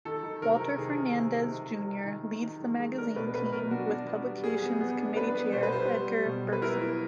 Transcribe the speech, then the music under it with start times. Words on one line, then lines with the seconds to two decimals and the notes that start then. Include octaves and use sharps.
Walter Fernandez, Junior leads the magazine's team, with publications committee chair Edgar Burcksen.
0.05 D#3 A4
0.23 D#3
0.42 C3 A#4
0.61 D#3
0.78 C3 G#4
0.97 D#3
1.15 C3
1.33 C3
1.51 D#3
1.70 C3
1.87 D#3
2.06 D#3
2.24 D#3
2.42 D#3
2.60 G#3
2.79 G#3
2.97 D4 A#4
3.16 B2 B4
3.34 B2 B4
3.53 B2 A#4
3.70 D4 F#4
3.89 D4
4.07 B3
4.26 G3
4.43 G3 G#4
4.62 B3
4.80 B3
4.98 D4
5.16 D4 B4
5.35 B3
5.52 B2 C5
5.63 B4
5.72 G3 C5
5.90 G3
6.07 G3
6.26 B2
6.45 G3
6.52 B4
6.62 E4 A#4
6.81 E4